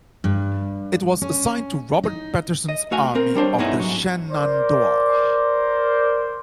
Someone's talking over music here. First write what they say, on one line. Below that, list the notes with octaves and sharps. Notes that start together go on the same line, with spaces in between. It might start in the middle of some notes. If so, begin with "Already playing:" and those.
It was assigned to Robert Patterson's Army of the Shenandoah.
G2
C#4
D#4
D#5
A3 F#4 F5 G#5
C4 A#4
G3 D4 C5 C#5
G2 G#3 B3 C#4 D#4 E4
G#2 F#3
A#4 C5 D5